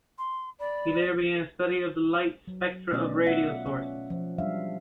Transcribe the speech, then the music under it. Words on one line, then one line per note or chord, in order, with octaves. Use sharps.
He later began a study of the light spectra of radio sources.
C6
D5 B5
F#3
B2 A3 B3 C#4 D5 D#5
F4 E5 F#5
C#4
F3
F#3 G3 D4 E5 F5